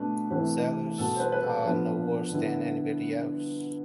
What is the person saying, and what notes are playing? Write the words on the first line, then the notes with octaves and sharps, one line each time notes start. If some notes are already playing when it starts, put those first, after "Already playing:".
Sailors are no worse than anybody else.
Already playing: B2 A3 D4 B4
C3 E3 A3 C4 E4 B4
B2 G3 B3 A4
C5
B4
B4
A4
F3 B3 D4 B4
D3 G3 B3 E4